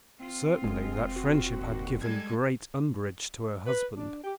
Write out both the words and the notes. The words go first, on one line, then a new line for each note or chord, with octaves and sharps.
Certainly that friendship had given great umbrage to her husband.
C4 F4
F1 G#3
F#4
D#2 A#2
G3 G#3 A4 G#6
B4
D4
G4